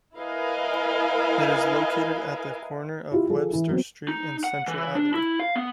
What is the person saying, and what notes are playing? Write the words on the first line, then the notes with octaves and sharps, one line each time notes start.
It is located at the corner of Webster Street and Central Avenue.
E4 A#4 B4 D#5 F5 G#5
E4 F4 G4
F3 G#4 A4
E3 E4
F#3 B3 C4
D#4
F#5
E3
D4
E4
F5
B3